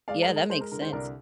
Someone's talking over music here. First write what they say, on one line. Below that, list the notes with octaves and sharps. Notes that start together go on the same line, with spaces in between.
Yeah, that makes sense.
G#3 D5 F5
A#4 D5
G#3
A#4
G#3 C5
A#4
D3 A#4
C5
C2 A#4 D5